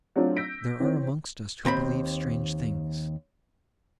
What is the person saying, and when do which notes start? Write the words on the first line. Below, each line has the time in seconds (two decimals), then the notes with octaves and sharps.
There are amongst us, who believe strange things.
0.16 F#3 A3 C4 D4 F4
0.37 E6 G6 A#6 B6 D7
0.80 E3 C4 C5 C#5
1.65 D#2 C4 A#5 B5